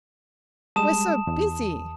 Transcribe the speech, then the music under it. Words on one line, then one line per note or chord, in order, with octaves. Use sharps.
"We're so busy."
G3 G#3 A5 D#6 E7
E2